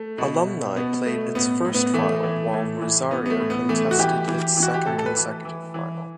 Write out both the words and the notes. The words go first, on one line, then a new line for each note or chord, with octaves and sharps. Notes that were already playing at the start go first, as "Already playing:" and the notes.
Alumni played its first final while Rosario contested its second consecutive final.
Already playing: A3
B2
B2
B2 B3
B2 A3
A2 B3
A2
B3
E3 A3
E3
A2
E3
E3 B3
B3
A3
A2
B3
E3 A3
F#4
E3 G4
E3
E3
F#4
G4
A2 A4
A4
B4
E3
E3
E3